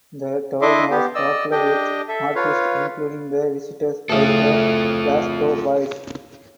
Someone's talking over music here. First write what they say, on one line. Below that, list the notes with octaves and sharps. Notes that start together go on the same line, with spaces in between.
The town was popular with artists including the visitors like the Glasgow Boys.
D4 E4 D#5 E5 C6 D6
B3 G4
D5 D#5 E6
D4 G4 D#5 G5
A4 E5
F4 B4 C#5 F5
D2 A2 C#3 F4 A4